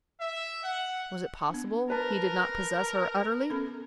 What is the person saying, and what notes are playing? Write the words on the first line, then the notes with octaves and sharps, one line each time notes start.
Was it possible he did not possess her utterly?
E5
F#5
B3 D4
A#4 B4 A5
B3 C#4 A4